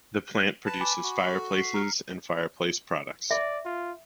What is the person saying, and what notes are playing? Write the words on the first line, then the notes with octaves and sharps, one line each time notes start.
The plant produces fireplaces and fireplace products.
B4 A5
G#5 B5 D6
F#4
A4
B6 C7
A#5 F6 C#7
D5 E5
F4